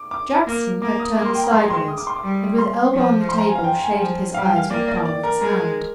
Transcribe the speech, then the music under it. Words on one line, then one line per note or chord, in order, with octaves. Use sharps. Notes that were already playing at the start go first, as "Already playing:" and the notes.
Jackson had turned sideways, and with elbow on the table shaded his eyes with the palm of his hand.
Already playing: D6
D6
A#3
A#3 D6
D#6
A#3 D6
C6
G5
A#5
G#3 C6
A#5
C6
D#6
D6
C6
D6
G3
C6
F3
C6
A#5
G#5
F5
G5
G#5
F3
G3 F5
G5
F5
A#3 D5
D5
D5
A#4
G#3 A#4